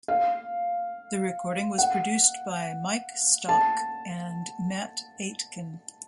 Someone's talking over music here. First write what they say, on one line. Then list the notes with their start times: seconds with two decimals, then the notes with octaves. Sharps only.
The recording was produced by Mike Stock and Matt Aitken.
0.08 F5
1.78 F#5
3.49 A5